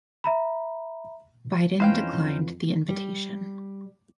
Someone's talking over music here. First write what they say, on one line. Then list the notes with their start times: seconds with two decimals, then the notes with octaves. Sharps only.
Biden declined the invitation.
0.24 E5 A#5 B5
1.80 F2 E3 C#4 D#4 B4 C5 F5 G5
2.88 G3